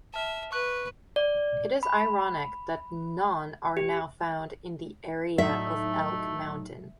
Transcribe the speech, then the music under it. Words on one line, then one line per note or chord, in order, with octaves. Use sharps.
It is ironic that none are now found in the area of Elk Mountain.
E5 A5 F6
B4 C#6 F#6
D5
B5
G4
A2 F#3 A3 D#4 E5